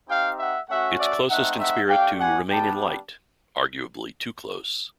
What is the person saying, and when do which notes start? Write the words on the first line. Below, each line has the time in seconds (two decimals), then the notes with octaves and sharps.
It's closest in spirit to Remain in Light - arguably too close.
0.09 C4 D#4 G4 F5 G5
0.39 E5 F#5
0.69 A3 C#4 F#4 E5 F#5
0.99 D5 E5
1.30 A3 C4 D#4 E5 F#5
1.60 E5 F#5
1.90 A3 D4 G4 F5 G5
2.20 F#5 G#5
2.50 G3 B3 D4 G4 G5 A5